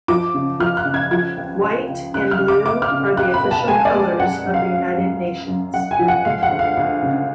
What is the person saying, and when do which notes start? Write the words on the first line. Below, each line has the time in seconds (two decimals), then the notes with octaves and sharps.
White and blue are the official colours of the United Nations.
0.08 F3 D6
0.34 C#3
0.60 F3 F6
0.77 F#6
0.85 C#3
0.94 G#6
1.11 F3 G#6
1.37 C#2
1.62 C#2
1.88 C#2
2.14 C#3 F#6
2.31 F6
2.40 C#3
2.48 D6
2.65 A3 D6
2.82 F6
2.91 C#3
3.17 C#2 F#6
3.34 B5
3.43 B2
3.51 A5
3.68 G#3 G#5
3.85 D5
3.94 G#3
4.19 F#2 F#5
4.45 F#2
4.54 F5
4.71 F#2
4.97 F#2
5.23 F#2
5.48 F#2
5.74 F#2 F#5
5.91 G#5
5.99 F3
6.08 F#5
6.25 G#3 F5
6.43 F#5
6.51 D2
6.59 F5
6.77 D2
7.03 C#3